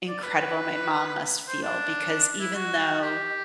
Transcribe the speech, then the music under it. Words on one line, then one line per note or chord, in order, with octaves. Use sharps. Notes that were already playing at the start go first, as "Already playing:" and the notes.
incredible my mom must feel because even though
D5
B4
C5
D4
E4
F#4
G4